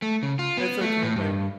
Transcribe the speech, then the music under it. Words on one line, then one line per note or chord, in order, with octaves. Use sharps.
it's okay if I
A3
C#3
F4
B3
A3
A2
G2